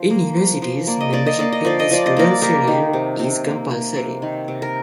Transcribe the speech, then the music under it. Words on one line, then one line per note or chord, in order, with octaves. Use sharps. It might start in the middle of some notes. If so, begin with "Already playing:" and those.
In universities, membership in the students' union is compulsory.
Already playing: F3
A#3
F3
F3
A#3 D5
D#5
A#3 D5
D#5
A#3 D5
D#5
F3 D5
D#5
F3 D5
D#5
A#3 A#4 D5
A#3 G4 A#4
D#3
C3
C3
A#3
A#3
C3
D#3
C3
A#4